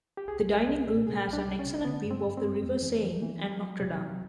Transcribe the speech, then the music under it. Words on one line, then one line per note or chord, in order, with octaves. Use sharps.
The dining room has an excellent view of the river Seine and Notre Dame.
G4
C2 G#4
C2
G#4
C2
G#4
A#2
C3 G#4
C2
D4
C2
C#4
C3
D3 B3
G2
C4
G2
C4
G2
F2
E3
E3
E3
F#3
F#3
C3
F#3